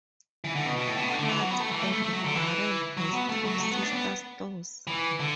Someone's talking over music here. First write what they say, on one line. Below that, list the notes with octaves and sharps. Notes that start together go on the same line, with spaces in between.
Crate and Barrel has two sister stores.
E3
D3
B2
B2
A2
B2
D3
D3
E3
F#3
B3
A3
E3
A3
A3
A3
F#3
D3
E3
F#3
B3
A3
F#3
A3
B3
D4
B3
E3
D3